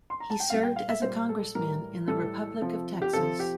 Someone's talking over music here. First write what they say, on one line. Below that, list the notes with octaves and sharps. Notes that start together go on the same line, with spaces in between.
He served as a congressman in the Republic of Texas.
C6
A#5
A5
G5
A#2 G3 F5
G5
F5
E5
A#2 G3 C5
A4
A2 E3 G3 A#4
A2 E3 G3 A4
C3 F3
G4
C3 F3 A4
G4